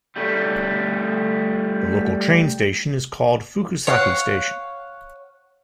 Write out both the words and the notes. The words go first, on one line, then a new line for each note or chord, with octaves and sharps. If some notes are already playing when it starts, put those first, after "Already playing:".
The local train station is called Fukusaki Station.
G3 A3
C#5 F5 F#5